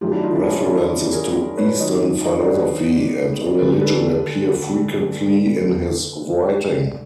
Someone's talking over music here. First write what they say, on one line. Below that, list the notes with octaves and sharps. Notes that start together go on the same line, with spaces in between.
References to Eastern philosophy and religion appear frequently in his writing.
F#2 D#3 F#3 A3 F4 G4
D4 E4
D#4 F4
D4 E4
C#4 D#4
D4 E4
D4 E4
G#4 A#4
B4 C#5
G#2 D#3 F#3 C#5 D#5
C#5 D#5
C5 D5
B4 C#5
D2 D3 G3 A4 B4
A4 B4